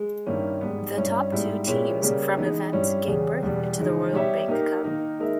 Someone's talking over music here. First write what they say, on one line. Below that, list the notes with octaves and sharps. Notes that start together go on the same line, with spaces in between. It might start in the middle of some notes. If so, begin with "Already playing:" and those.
The top two teams from event gain birth into the Royal Bank Cup.
Already playing: G#3
G2 D#3 A#3 C#4 E4
G#2 G3 B3
G2 G3 C#4 E4
G#2 G3 B3 E4
A#2 G#3 C#4 E4 G4
C#3 G3 A#3 C#4
E3 G#3 B3 D#4
G2 G3 C#4 E4
E2 C#3 G3 C#4 G#4
E2 B2 G3 B3
C#3 E3 G#3 D#4
G3 B3 G4 C#5 E5
A#3 D#4 G4 A#4
D#3 A#3 D#4 A#4
G#3 D#4 A#4 E5